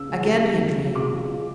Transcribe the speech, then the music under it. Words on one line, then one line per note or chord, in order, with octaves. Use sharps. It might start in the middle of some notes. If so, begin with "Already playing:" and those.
Again he dreamed.
Already playing: C#3 E6
C#2
G3
F#3
E2
F#3
C#2 D6
C#2
C#2